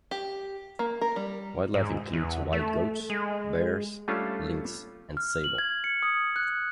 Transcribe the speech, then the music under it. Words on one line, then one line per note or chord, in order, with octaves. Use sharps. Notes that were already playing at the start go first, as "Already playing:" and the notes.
Wildlife includes wild goats, bears, lynx and sable.
G4
A#3
A#4
G3
G#2
E2
A3
G#3
G3 A3 C#4 D4 F4 A4
F6
F#7
G#6
C#7
D#6
F#6